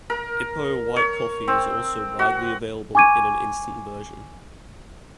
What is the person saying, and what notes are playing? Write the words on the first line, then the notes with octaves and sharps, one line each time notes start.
Ipoh White Coffee is also widely available in an instant version.
A#4
C#5
C4
F#4
G#5 C#6 D6 G#6 D#7